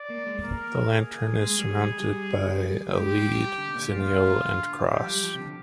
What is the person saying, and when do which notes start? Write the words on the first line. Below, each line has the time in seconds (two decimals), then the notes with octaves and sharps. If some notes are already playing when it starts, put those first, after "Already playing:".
The lantern is surmounted by a lead finial and cross.
Already playing: D5
0.10 A#3
0.27 G#3
0.43 A#3 A#4
0.93 G#4
1.42 G#3
1.58 G3
1.76 G3
1.92 G3
2.91 G#3 G4
3.08 G#3
3.25 G3
3.58 D3
3.68 C3
3.74 A#2
3.91 G#2 F4
4.04 G2
4.16 G#2
4.28 A#2
4.40 D3
4.90 F3 G4
5.06 G3
5.23 F3
5.34 C3
5.40 D3